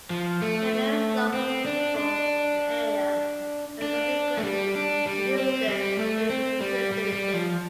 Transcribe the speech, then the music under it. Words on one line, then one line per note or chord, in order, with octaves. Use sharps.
They married local people in the area and subsequently introduced them to Christianity.
F3
A3
C4
D4
D4
D4
A3
G3
D4
G3
C4
G3
A3
C4
G3
G3
G3
F3